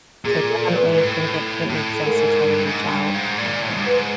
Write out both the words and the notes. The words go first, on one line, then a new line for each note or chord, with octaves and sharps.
so I definitely think it it makes sense to try to reach out, um,
A#2 G#4
A4
B4
G#2
A2
A2
A4
G#2 A#4
G2
G#2
G2
G#2
A#2
A2
G#2
G2
G#2 B4